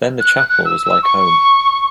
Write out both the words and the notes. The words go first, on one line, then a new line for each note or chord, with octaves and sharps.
Then the chapel was like home.
F#6
F#6
F#6
E6
E6
C#6